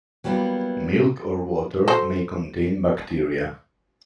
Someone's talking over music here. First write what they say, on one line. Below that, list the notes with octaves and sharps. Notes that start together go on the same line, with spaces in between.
Milk or water may contain bacteria.
F#3 G3 A#3 B3 E4
F#4 A4 C5